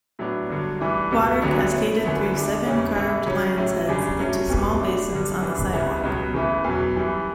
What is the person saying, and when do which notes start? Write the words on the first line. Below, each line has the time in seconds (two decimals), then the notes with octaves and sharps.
Water cascaded through seven carved lion's heads into small basins on the sidewalk.
0.19 A2 F#3 B3 D4
0.49 G2 D3 F#3
0.80 G2 E3 A3 D4
1.11 C#2 B2 G3 B3
1.42 D2 D3 F#3 B3
1.73 B2 A3 C#4 E4
2.03 F#2 D3 F#3 B3 E4
2.34 D2 D3 A3 D4
2.65 E2 C#3 G3 C#4 E4
2.96 A2 E3 A3
3.26 C#3 F#3 C#4
3.57 A2 F#3 C#4 E4
3.87 F#2 C#3 G3 D4
4.19 G2 F#3 A3 C#4
4.50 E2 B2 G3
4.80 B2 A3 D4
5.11 G2 D3 G3
5.42 F#2 E3 B3 D4
5.73 C#2 C#3 G3 B3 E4
6.03 C#2 B2 F#3
6.34 C#3 E3 A3
6.64 E2 B2 F#3
6.96 F#2 E3 G3